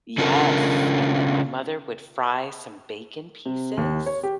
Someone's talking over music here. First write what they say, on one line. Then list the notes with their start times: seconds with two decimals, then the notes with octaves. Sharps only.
Yes, and then my mother would fry some bacon pieces
0.18 C#3 C#4 D4 F4 A4 A#4
3.46 C3
3.77 D#2
4.06 C#5
4.23 G4